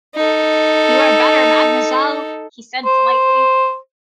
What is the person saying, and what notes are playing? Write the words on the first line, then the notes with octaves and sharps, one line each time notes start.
"You are better, mademoiselle," he said politely.
D#4 A4
C5